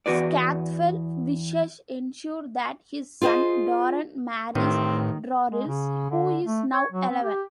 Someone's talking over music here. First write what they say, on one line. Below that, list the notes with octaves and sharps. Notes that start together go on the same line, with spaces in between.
Scathfell wishes ensure that his son Darren marries Dorilys, who is now eleven.
E2 F#4 B4 D5
F4 G#4 A#4 C5 D#5
A1 A2 D#3 C4
G#3
C#3
D3
A3
C#5
F#3
C4
G4